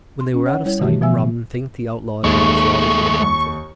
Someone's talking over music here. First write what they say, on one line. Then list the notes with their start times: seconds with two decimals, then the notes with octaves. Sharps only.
When they were out of sight, Robin thanked the outlaw again for all that he had done for them.
0.21 C6
0.34 C#4
0.46 C#5 F#5
0.65 G3 E4 C#5
0.80 B2 D#3 E3 A3 F#4 G4
1.02 B2 F3 B3 E5 G#5 E6
2.24 D#2 G#3 A3 C#6